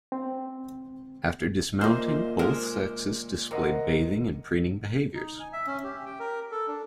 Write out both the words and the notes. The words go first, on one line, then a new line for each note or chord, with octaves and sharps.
After dismounting, both sexes display bathing and preening behaviours.
C4
A#2 A#3 C5 D#5 E5
G#3 A#4 C5
C3 A#4 D#5 F#5
D#4
G#5
E5
C#4
G4
G5
A#4
A4
D4